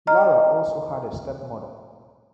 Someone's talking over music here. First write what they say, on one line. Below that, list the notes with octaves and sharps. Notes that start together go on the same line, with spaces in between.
Lara also had a stepmother.
D#5 A#5 F6